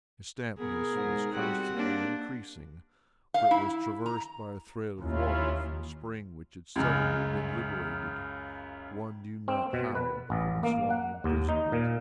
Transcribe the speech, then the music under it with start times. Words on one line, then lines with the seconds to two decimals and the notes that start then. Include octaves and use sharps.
Its dampness was constantly increasing, for it was traversed by a thread of water from a spring which had suddenly been liberated, one knew not how, from its long imprisonment.
0.58 B2 B3 G#4 A#4
0.92 G#2
1.34 G3 C4 F#4 F#5
1.73 A#3 D4
3.34 F5
3.51 E4
4.06 A#5
4.99 D#2 C#4 E4 F4
6.76 C#2 F#2 C#3
9.48 C4
9.73 B2
9.95 B4
10.30 A1
10.63 A#3
10.90 F#5
11.24 D#2
11.49 D#4
11.72 A#2